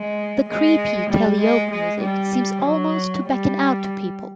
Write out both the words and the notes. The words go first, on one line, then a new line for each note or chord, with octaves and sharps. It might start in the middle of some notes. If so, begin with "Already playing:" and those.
The creepy calliope music seems almost to beckon out to people.
Already playing: G#3
G#3
G3
G#3
G#3
G3
F#3
G3